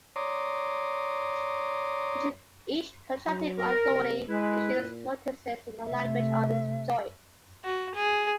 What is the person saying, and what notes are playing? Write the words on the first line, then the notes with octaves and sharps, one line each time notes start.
Each contracting authority issues notices in the language of its choice.
C#5 D5 A#5 C6 D6 D#6
F#3
A#4
C3
G#3 E4 B4
A#2
C3 A3 E5
F#4
G#4